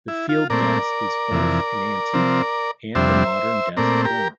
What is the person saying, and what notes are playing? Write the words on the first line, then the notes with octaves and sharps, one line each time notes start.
The field desk is both an antique and a modern desk form.
E4
F4
A#2 A3 C4 A#4 D5
F2 C3 E3
C3 F3 C4
F2 C3 G3 D4 C5 E5
A#2 A3 C4 A#4 D5
G4 A#4